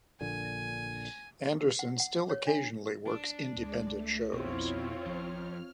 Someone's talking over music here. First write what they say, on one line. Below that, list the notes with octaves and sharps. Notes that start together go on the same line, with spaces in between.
Anderson still occasionally works independent shows.
A#1 A#2 D3 G#5
F#5
F#5
C#5
D4
D4
C#2 G#3 D5
A3
B1 F2 B2 C4 E4 F4 C#5
G#1 F2 F3 F6